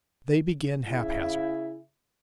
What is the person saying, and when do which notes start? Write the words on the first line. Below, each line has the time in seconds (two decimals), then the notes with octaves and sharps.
They begin haphazard.
0.87 C#3 E4